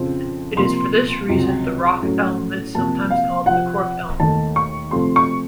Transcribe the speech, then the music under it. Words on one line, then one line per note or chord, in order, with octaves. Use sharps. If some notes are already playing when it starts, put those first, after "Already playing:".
It is for this reason the rock elm is sometimes called the cork elm.
Already playing: F2 C#3 F3 C4
C3 F3 A#3 C6
C#2 C3 F#3
A2 F#3 A3 C#4
C3 F3 A#3 A5
F5
C3 F3 C4 F#5
D#2 D#3 A3 A5
C#6
C3 F3 A3 C4 C6
C#6